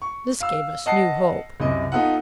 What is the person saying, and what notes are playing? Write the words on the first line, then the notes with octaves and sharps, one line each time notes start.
This gave us new hope.
C#6
F5 E6
D#5 F#5 A5 A#6 C7
C2 F#2 C3 D#5
B3 D#4 F4 A4 B4 F#5